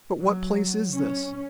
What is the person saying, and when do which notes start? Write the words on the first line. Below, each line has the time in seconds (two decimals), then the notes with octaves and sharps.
"But what place is this?"
0.19 F#3
0.95 C#4